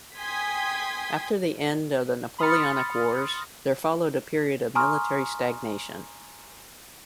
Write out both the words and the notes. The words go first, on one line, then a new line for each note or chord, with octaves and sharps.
After the end of the Napoleonic Wars there followed a period of military stagnation.
G5 G#5 C6 D#6 G#6 B6
B5 C6 D#6 F6 A6 C#7
G#5 A#5 C6 C#6 D#6 F6